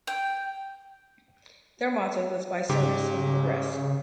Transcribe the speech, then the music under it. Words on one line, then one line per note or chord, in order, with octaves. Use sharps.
Their motto was By Service We Progress.
G5
G#2 C#3 G4